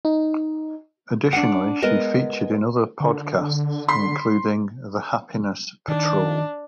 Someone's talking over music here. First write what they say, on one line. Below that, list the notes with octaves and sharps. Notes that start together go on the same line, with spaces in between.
Additionally, she featured in other podcasts including "The Happiness Patrol".
D#4
D4 F#5
G#3 B3 A#4 D#5
D3
B5 C6 B6
D#3 D4